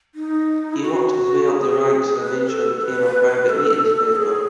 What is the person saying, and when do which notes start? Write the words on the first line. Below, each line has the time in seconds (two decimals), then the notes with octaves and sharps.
He worked his way up the ranks and eventually became a private meat inspector.
0.15 D#4
0.73 E4
0.82 F#4
1.49 G#4
2.16 B4
2.49 A4
2.82 B4
3.49 A4
4.16 G#4